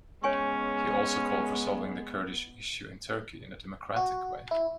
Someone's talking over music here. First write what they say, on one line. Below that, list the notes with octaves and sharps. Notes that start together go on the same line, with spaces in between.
He also called for solving the Kurdish issue in Turkey in a democratic way.
G#3 B3 C#4 C#5 G#5 C#6
F#4
E4